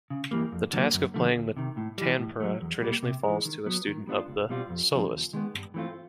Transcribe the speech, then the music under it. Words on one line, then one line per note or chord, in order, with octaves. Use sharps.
The task of playing the tanpura traditionally falls to a student of the soloist.
C#3
E3 G3 A#3
F2
D3 F#3 A#3
F#2
D3 F3 A3
D2
C3 D#3
A2
E3 G3
A2
F#3 A3
E2
B2 G3 A#3
C3
E3 G#3
D#3
F#3 B3
D#3
G3 B3 D4 F4
C#2
B2 G3 C4 F4
F2
C#3 F3
D#2
D#3 G#3 B3
G2
E3 A3 C4 F4